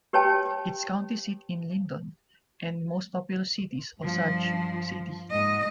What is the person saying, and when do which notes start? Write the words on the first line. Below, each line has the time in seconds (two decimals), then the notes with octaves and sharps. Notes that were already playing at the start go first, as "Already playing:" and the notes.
Its county seat is Lyndon, and its most populous city is Osage City.
0.13 G4 B4 C#5 G5 A5
4.01 G2 F3
5.31 G#2 D#5